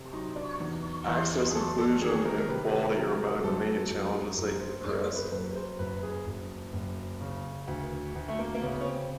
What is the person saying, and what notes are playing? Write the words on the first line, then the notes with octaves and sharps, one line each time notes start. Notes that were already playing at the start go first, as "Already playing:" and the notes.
Access, inclusion and quality are among the main challenges they can address.
Already playing: C3
F#3 D#4
D4
E2 D#4
E2 E4
G#4
F#3 A4
A4
D#3 G#4
A#4
A#4
C3 B4
F#3 A#4
F#2 A4
F#2
F#1 A#4
C5
F#1 D5
C5
B4
C5
F#2 B4
C5
F#1 B4
G#4
F#1
F#1
C#3
D2
D2
A3
A#3
A#3
C#3 B3
C#4
C4